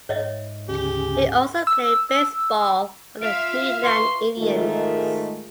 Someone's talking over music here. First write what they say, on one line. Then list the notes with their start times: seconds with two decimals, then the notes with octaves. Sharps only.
He also played baseball for the Midland Indians.
0.09 G#2 C#5 D#5 E5
0.69 D2 C#3 G4 G#4
1.67 E6
3.22 F4 E5 F5 F6 D7
3.83 B4 C6 C#6
4.38 G#2 D#3 G#3 A3 F4 A#4